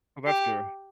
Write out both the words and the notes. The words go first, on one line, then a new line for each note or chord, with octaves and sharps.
Oh, that's good.
G4